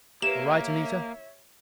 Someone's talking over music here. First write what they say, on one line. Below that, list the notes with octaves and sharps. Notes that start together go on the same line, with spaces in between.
"All right, Anita?"
A#3 G4 B4 C#5 E5 E7